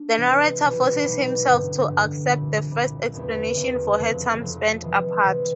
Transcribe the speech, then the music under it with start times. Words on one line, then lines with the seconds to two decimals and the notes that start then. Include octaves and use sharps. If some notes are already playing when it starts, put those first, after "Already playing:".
The narrator forces himself to accept the first explanation for her time spent apart.
Already playing: A#3 D4
0.17 C3 E3 G#3
0.60 B1 B2 G3
1.02 B1 B2 G3
1.45 A1 G2 D3
1.85 A1 G2 D3
2.29 C2 A#2 G3
2.71 C2 A#2 G3
3.13 F#1 E2 C#3
3.54 F#1 E2 C#3
3.98 F1 F2 C#3 F3
4.40 F1 F2 C#3 F3
4.83 C3 E3 G#3
5.25 C3 E3 G#3